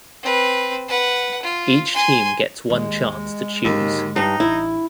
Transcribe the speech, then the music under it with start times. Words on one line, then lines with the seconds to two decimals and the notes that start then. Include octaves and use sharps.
Each team gets one chance to choose.
0.23 C4 B4
0.89 B4 F#5
1.43 F4
1.94 G#5 C6
2.70 D#2 G#3
3.64 D#2 G#2 D3
4.16 G2 D#4
4.40 A1 E4